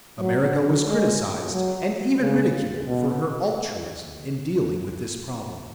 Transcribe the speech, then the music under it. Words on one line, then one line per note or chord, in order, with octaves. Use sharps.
America was criticised and even ridiculed for her altruism in dealing with this problem.
F#3
G#3
F#3
C#3
B2